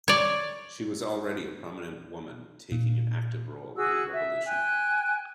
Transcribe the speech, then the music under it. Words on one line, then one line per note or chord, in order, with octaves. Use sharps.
She was already a prominent woman taking an active role in the revolution.
C#5 D5
A#2
F#4 G#4 E6
E5
G5 G#5 F#6